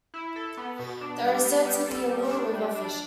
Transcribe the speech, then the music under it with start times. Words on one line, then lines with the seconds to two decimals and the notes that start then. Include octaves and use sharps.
There is said to be little river fishing.
0.14 E4
0.36 A4
0.57 B3
0.79 B2
1.01 D4
1.22 G3
1.45 B3
1.65 G3
1.87 A4
2.09 G3
2.31 D4
2.53 G3
2.75 D4